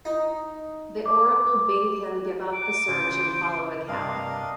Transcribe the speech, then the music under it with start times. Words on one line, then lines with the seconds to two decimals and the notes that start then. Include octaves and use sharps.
The oracle bade him give up the search and follow a cow.
0.05 D#4
1.06 D6
2.53 D6
2.88 C#3 E3 C5
3.88 G2 C3 D4 A#4 D#5 F5